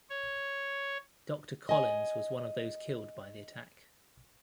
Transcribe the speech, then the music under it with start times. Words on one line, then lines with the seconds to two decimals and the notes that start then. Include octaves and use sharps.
Doctor Colins was one of those killed by the attack.
0.10 C#5
1.69 D#5 G#5